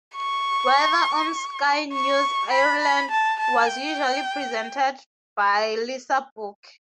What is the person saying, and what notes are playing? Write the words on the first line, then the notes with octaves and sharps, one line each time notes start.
Weather on Sky News Ireland was usually presented by Lisa Burke.
C#6
C#6
B5
B5
A5
A5
G5